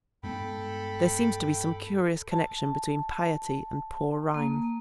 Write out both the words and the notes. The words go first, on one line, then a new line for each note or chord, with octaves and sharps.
There seems to be some curious connection between piety and poor rhymes.
G2 G#3 B3 A4 G5 B5
A5
A#3